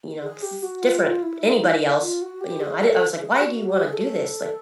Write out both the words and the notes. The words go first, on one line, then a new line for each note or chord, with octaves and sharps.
you know, s different, anybody else. But, you know, I di I was like, "Why do you wanna do this?" Like
G#4
G4
F#4
F4
F4
E4
D#4
E4
F4
F#4
G4
G#4
A4
G#4
F#4
G4
G#4
A4